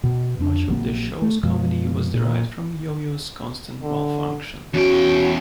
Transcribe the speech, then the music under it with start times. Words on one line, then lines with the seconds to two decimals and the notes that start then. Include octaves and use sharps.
Much of the show's comedy was derived from Yoyo's constant malfunctions.
0.04 B2
0.39 F2 C4 D4
0.69 A#1 F#3 A#3 C4
1.22 A3
1.43 F#2 B2 F3 G#3
2.14 A#2
3.83 D3
4.74 E2 C#4 F#4 G5